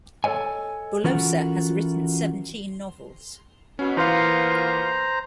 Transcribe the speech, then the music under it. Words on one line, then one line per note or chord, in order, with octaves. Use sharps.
Boullosa has written seventeen novels.
A4 A#4 C#5 D#5 G#5
E3 C#4 F4 F#4 A4 A#4
B2 C#4
E3 A#3 B3 F4 C5 F5 A#5